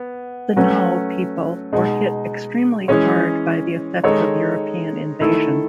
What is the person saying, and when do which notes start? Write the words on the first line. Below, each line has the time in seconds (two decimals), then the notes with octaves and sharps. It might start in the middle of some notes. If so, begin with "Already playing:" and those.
The Nauo people were hit extremely hard by the effects of European invasion.
Already playing: B3
0.56 F#3 A3 C#4 F#4 B4
1.72 B2 G#3 D#4
2.88 E3 G#3 C#4 G#4 C#5
4.04 D#3 G#3 D#4 A4 C#5
5.20 D#3 A3 E4 A4